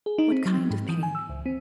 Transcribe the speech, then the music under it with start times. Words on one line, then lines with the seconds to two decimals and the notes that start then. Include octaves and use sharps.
What kind of pain?
0.06 G#4
0.18 D#4
0.32 C4
0.46 F#3
0.58 F3
0.70 G#2
0.89 E3
1.03 G#5
1.15 E6
1.29 C#2
1.46 C4